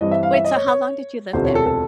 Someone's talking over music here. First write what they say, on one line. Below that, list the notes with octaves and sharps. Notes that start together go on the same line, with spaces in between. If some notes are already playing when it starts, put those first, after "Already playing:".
Wait, so how long did you live there?
G2 E3 G3 C4 D#5
E5
F5
E5
D#5
C#5
C#5
E1 D2 C3 F3 A3 C5
C#5
A4
A4